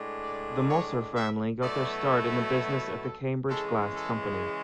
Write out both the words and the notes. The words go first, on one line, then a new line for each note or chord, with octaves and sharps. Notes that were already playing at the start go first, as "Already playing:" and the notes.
The Mosser family got their start in the business at the Cambridge Glass Company.
Already playing: A2 G#3 D4
D5
C#5
E5
B2 F#3 A3 E4 D5
A4
C#3 E3 G#3 A4
A4